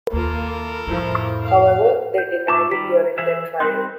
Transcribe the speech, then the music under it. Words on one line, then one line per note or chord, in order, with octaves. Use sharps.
However, they denied it during their trial.
D#2 A#3 F4 A4 A#4
F2 A2 F3 E4
F5
G6
G#2 F4 E5 A5 C#6 D6
D#3 G3 B6
E3 G#4 E5
G3 C4 D#4 C6 F#6